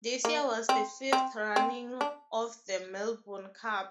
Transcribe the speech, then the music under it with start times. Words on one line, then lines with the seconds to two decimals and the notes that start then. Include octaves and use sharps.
This year was the fifth running of the Melbourne Cup.
0.25 A#3
0.69 C4
1.13 C4
1.56 C4
2.01 D4